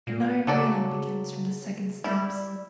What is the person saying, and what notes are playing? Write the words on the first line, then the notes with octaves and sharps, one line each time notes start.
An iron railing begins from the second steps.
A#2
C#3 F#3 A4 D5
G3 E4